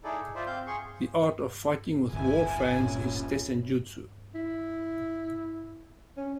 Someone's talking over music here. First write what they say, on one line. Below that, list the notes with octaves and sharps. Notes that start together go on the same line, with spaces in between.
The art of fighting with war fans is tessenjutsu.
D#4 E4 G#4 A4 D5
G#4
F4 C5 D5 E5
C4 F5 G6
G#4 C6 C#6
D1 G1 E4 G#5
A#2 C#4
E4
C#4